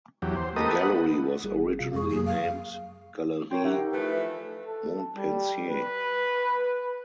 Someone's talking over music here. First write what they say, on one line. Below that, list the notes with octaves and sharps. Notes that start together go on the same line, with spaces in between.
The gallery was originally named "Galerie Montpensier".
E2 F#3 G4
C5
A#3 G4 A4 B4 D#5 D#6
B4 F#5
G1 G3 G#4
C3 F4 F5
F2 G#3 G#4 C#6
F#2 F#3 A#3 G#4
F5
A#4 C#5 G5 C6
D#4 G4 E5 F#5
E3 F3 A3 B4
A4
G3
B4